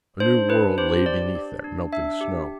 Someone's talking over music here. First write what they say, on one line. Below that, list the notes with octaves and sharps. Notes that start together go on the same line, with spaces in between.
A new world lay beneath that melting snow.
D4 C5
D4 B4
G4 C5
D4 D5
D4
D4
D4 E5
G4